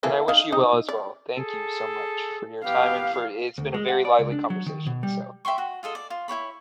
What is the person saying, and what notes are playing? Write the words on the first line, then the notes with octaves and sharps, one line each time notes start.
And I wish you well, as well. Thank you so much for your time and for it's been a very lively conversation, so
E3 A#3 A4
D#4 F5
D#4
D5
G#4 A4
B3 G4 F5
D2
G#3
F#5
D5
C#2
D4
F#3
D#3
B2
G3
E5 G5 C6 C#6
F#4
F4 G#4 A4 D#5
D5
F4
E4 G4 C#5 B5